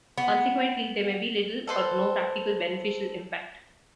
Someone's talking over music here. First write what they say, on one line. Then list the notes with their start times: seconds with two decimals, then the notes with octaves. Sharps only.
Consequently, there may be little or no practical beneficial impact.
0.18 B3
1.67 A4 B4 C5